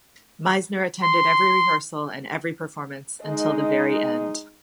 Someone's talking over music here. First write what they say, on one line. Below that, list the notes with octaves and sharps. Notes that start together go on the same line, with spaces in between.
Meisner attended every rehearsal and every performance until the very end.
C6
G#3 D#4